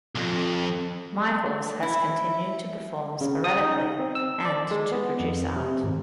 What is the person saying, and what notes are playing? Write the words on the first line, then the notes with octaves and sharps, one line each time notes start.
Michaels has continued to perform sporadically and to produce art.
B1 F2
E4
C#3
D#6
D#4
C4
E6
D5
G#3
B3
F2
C3
G#1